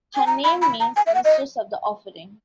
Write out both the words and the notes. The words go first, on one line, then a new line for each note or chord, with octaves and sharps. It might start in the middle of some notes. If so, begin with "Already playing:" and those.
Her name means "mistress of the offering".
G#5
A#5
B5
B5
A#5
G#5
E5
F#5
D#5